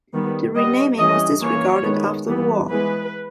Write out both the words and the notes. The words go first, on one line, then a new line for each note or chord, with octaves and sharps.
The renaming was disregarded after the war.
D#3 G3 B3
G3 B3 D#5
E3 G3 C#4 D#5
E3 A#3 C#4 C#5
D#3 G#3 B3
E3 G3 B3
E3 G#3 B3 B4